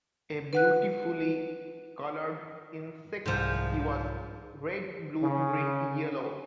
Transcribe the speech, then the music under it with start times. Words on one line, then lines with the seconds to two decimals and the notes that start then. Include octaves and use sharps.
A beautifully coloured insect he was-red, blue, green, yellow.
0.53 B4 F#5 F#6
3.26 C2 G#2 F3
5.23 C#3